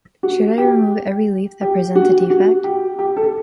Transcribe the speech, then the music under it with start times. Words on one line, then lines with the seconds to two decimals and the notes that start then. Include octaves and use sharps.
Should I remove every leaf that presents a defect?
0.23 F#4
0.58 G4
1.61 G4
1.95 F#4
2.30 F#4
2.64 G4
2.99 G4
3.16 A4